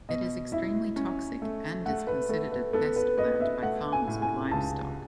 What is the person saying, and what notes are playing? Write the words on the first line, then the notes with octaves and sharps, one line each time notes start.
It is extremely toxic, and is considered a pest plant by farmers with livestock.
B2 D#5
E4 E5
C#4
A3
A3 F#5
B4
A3 A4
B4
B3 A4
B4
B3 D#5
E5
A3 F#5
G#5
A2
G#5
C#2 A5